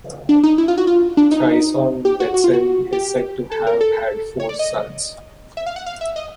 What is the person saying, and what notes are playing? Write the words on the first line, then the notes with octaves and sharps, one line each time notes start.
Trisong Detsen is said to have had four sons.
D4
D#4
E4
F4
F#4
F4
D4
D#4
G4
F#4
F#4
F4
F#4
G4
A4
A#4
A4
C#5
D5
D#5
E5
F5
F#5
F5
E5
D#5